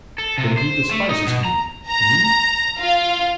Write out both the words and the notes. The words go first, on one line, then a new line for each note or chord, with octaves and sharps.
"Then he despises me, me?"
A4
C3
C5
A3
D#4
B2
A#5
A#5
F4 F5